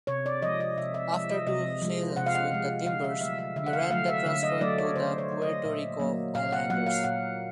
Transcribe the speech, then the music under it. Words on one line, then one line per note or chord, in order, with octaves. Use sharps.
After two seasons with the Timbers, Miranda transferred to the Puerto Rico Islanders.
C3 C#5
D5
F3 G#3 D#5
D#5
C3 E5
E5
F3 G#3 E5
D#5
C3 D#5
F3 G#3
C3 F#5
F5
F#5
F3 G#3
D3 F5
E5
F#3 A3 E5
E5
D3 E5
F#5
F5
F#3 A3 F5
E5
D3 E5
D#5
F#3 A3 D5
C#5
D3 C5
C#5
F#3 A3
D#5
A#2 E5
F#3 A#3
A#2 F5
F#5
F#3 A#3 F#5
F5
A#2 F#5